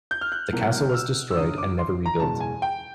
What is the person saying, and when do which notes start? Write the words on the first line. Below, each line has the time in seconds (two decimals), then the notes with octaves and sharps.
The castle was destroyed and never rebuilt.
0.11 G6
0.21 F6
0.32 F#6
0.53 C2 B2 F#3 A#3
0.89 F6
0.94 E6
1.31 E6
1.37 G1 F#2 D3 D#6
1.58 D6
1.79 C6
2.06 A#5
2.20 F#1 E2 B2 G#3 A5
2.40 G#5
2.62 G5